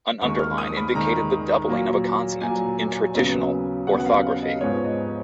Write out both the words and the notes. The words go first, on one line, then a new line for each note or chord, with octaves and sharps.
An underline indicated the doubling of a consonant in traditional orthography.
D#2 D#3 G#3 C#6
F6
D#6
B5
D#2 D#3 G#3 A#5
A#2 F#3 A#3
A#2 F#3 A#3 G#5
D#2 C#3 F#3 B3
D#2 C#3 F#3 B3 F#5
F#5
F5
D#5
G#2 F3 G#3 B3 C#5
D#5